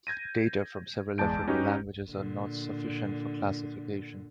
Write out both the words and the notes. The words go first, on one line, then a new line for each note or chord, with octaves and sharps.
Data for several African languages are not sufficient for classification.
G6 G#6 A#6 D#7
E2 G#3 D5 A5 G6 D7
C#4 D#4 F#4 G4 B4
A#2 D3